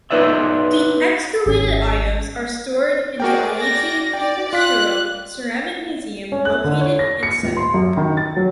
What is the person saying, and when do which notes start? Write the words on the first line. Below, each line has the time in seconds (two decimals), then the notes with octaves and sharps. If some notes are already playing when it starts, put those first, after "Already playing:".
The excavated items are stored in the Aichi Prefectural Ceramic Museum located in Seto.
0.10 B3 D#4 B4 D5 E5
1.46 G#1 C#4
3.20 F#4 G#4 A#4 D5 G5
3.56 D5 A#6
4.14 D5 G5
4.53 F4 F5 F#6 B6
6.32 C#4
6.45 F#6
6.64 D3
6.81 C#5
6.99 A#6
7.23 C#7
7.43 D#1
7.57 C6
7.74 F#2
7.97 D#3
8.17 A6
8.37 F#3